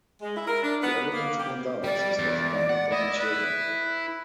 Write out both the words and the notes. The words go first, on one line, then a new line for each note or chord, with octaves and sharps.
The evidence in adults is less abundant than in children.
G#3
E4
A#4
D4
B3
A#3
G4
G3 D5 G5
E2
F#5
E4 D#5
B4